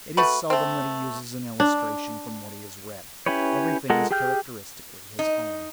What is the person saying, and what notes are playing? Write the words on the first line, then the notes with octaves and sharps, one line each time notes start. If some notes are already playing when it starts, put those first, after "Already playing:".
It is seldom that he uses an illustration from what he has read; everything is, characteristically, his own.
A3 F#4 B4
A3 C4
D4
C#4 E4 G4 B4 C#5
G#3 F4 A4 A#4 F#5
G4 G#4 G5 F6 G6
D#4